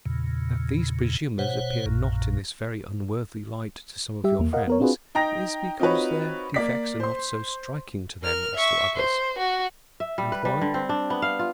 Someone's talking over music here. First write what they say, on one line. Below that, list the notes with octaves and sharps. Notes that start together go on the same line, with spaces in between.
That these presumers appear not in this very unworthy light to some of your friends, is, because their defects are not so striking to them as to others.--And why?
E2 A#2 C#3
B2 C5 C#5 F#5
A#1 F#2 A#2
G3 G4 E5
E2 A#3
A#4 D#5 F5 F#5
B3 A#4 C#5
C4 D4 F4 F#4 G#4 B4
D#4 G5 A#5 A#6
C4 D#4 F4 F#4 B4 C#5
A#3 D5 B6
C5 C6
A#4 F6
E5 C#6
C5
F#4
E5
G3
B4
G3
D3
C4
D4
B3
F5
F4